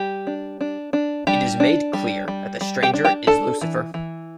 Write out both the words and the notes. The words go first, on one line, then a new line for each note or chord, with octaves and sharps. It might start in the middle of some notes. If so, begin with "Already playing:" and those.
It is made clear that the stranger is Lucifer.
Already playing: G3 G4
D4
D4
D4
G3 D4 G4
D4
G3
G3
G3
G4 G5
D4
G4 G5
D4 A4 A5
E3
E3